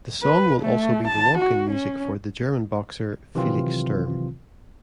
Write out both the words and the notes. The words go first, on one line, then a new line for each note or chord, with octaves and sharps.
The song will also be the walk-in music for the German boxer, Felix Sturm.
B4
A3
A5
F#4
C#4
C3 D#3 E3 F#3 C4 F4